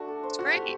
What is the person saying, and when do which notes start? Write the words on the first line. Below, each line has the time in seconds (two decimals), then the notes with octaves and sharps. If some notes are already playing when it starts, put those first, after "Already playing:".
It's great.
Already playing: A3 D4 F#4
0.08 A4
0.23 C5
0.39 A3 F#4
0.52 C4 G4